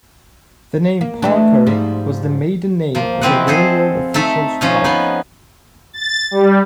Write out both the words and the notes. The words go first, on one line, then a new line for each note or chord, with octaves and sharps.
The name Parker was the maiden name of a railroad official's wife.
A#3
E3 A3 D4
G#2 F3 G3
F3 A#3
B2 E3 F3 C4 D#5 F#5
G#4 A4 C5 D#5
A3 D#4 A4 E5
F3 C#4 D#4
F3 B3 D#4
A6
G3